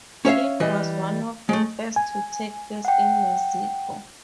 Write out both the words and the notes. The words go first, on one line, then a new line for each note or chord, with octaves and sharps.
It was one of the first to take place in Mexico.
C#4 C#5 E5 F5
E3 G3 D#5
G#3 A3
G#5
F#5 G5